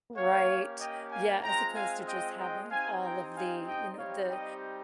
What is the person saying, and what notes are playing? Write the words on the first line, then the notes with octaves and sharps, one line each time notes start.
Right. Yeah, as opposed to just having all of the, you know, the
A#3 C#4 G4 C#5 F5
D#5 G5
F5 G#5
G#3 C4 F4 G5 A#5
F5 G#5
D#5 G5
D#5 G5
C4 D#4 G4 F5 G#5
G5 A#5
F5 G#5
D#5 G5
G3 C4 D#4 G4 C#5 F5
D#5 G5